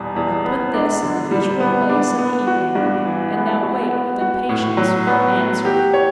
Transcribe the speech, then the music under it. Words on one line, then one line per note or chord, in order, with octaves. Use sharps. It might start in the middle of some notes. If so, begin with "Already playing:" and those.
I put this in the usual place in the evening; and now wait with impatience for an answer.
Already playing: E2 B2 G3
E2
B3
D4
D3
G3
B3
D4
B3
F#4
G2
E3
B3
F#4
B3
F#4
A2
F#3
B3
F#4
G4
C#5